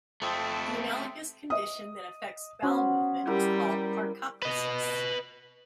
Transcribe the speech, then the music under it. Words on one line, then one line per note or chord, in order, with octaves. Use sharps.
The analogous condition that affects bowel movement is called parcopresis.
F2 A3 C4 G5 D#6 E6
D#5 D#6
B3 C#4 F#4 C5
G3 E4 G4 A#4
B4 D#5